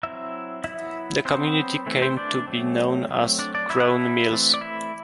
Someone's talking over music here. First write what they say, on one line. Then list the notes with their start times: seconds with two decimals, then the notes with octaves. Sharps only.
The community came to be known as Crown Mills.
0.03 F#3 C4 E4 E5
0.64 F#3 B3 E4 E5
1.25 F#3 B3 C4 C5
1.86 E3 A3 C4
2.01 C4 C5
2.17 D4 D5
2.47 F#3 A3 C4
3.09 F#3 A3 C4
3.39 D4 D5
3.54 D4 D5
3.70 F#3 B3 E4 E5
3.80 F#5
3.85 E4 E5
4.30 E3 A3 C4
4.54 D5
4.61 E4 E5